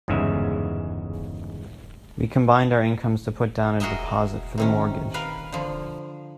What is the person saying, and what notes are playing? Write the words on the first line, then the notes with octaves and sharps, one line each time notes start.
We combined our incomes to put down a deposit for the mortgage.
G1 E2 G#2 C#3 G#3 E5
F#4 G#4 A#4 D#5 E5
C3 D#3 C#4
A#4 B4 F5
D3 F3